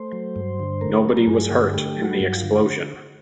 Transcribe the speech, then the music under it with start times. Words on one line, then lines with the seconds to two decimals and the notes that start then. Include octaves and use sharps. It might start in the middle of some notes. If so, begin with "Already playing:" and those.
Nobody was hurt in the explosion.
Already playing: A3 C5
0.13 F#3
0.36 G2
0.59 D3
0.81 A3 A#4
1.05 F#3
1.27 G2 G#4
1.50 D3
1.73 A3 G4
1.97 F#3
2.04 F#4
2.20 G2
2.35 F4
2.43 D3